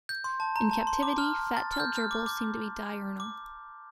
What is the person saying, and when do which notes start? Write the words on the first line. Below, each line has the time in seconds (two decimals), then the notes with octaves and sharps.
In captivity fat-tailed gerbils seem to be diurnal.
0.09 G6
0.24 C6
0.40 A5
0.56 A#5
0.71 A5
0.87 C6
1.03 D6
1.18 F6
1.57 A6
1.72 F6
1.80 G6
1.96 F6
2.11 D6
2.26 D6
3.20 D6